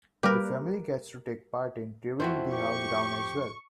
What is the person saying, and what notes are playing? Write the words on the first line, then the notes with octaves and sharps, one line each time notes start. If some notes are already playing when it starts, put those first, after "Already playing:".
The family gets to take part in tearing the house down as well.
G3 A#3 G4 A#4 B4
F2 A3 E4 F#4 C5
G4 C#6